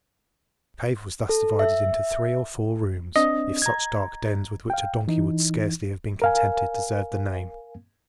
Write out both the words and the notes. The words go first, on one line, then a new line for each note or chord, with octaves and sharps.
The cave was thus divided into three or four rooms, if such dark dens with which a donkey would scarcely have been contented deserved the name.
A4
E5
C4 D4 D#5
A#5 G#6
F5 G5
E3 D#4
A#4 F5 G#5